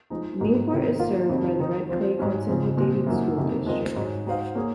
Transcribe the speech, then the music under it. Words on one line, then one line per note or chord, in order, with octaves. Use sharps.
Newport is served by the Red Clay Consolidated School District.
F3 G#3 D#4
G#2 F#3 A#3
C3 D#3 F#3 C4
A#3 F4 A#4 F5
F2 C3 D#3 F#3
D#3 F#3 C4 D#4
F3 C4 F4
G#2 F#3 C#4
F2 C#3 F3 C4
A#2 G#3 C4
F#2 F3 A#3 D#4 F#4
F2 C3 D#3 A#3
G#3 C4 F4 A#4 D#5
G#2 F#3 C#4
G#3 D#4 F#4 C5 F5
A#3 C#4 G#4